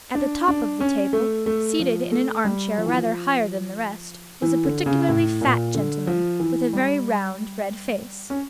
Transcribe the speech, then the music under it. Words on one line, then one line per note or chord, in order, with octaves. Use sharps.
At the top of the table, seated in an arm-chair rather higher than the rest, was a particularly fat gentleman with a very round, red face.
D4
D4
C#4
A3
A3
F3
A3
G3
F3
E3
F3
E3
D3
C#3
A2
A#2
D3
F3
E3
G3
C#4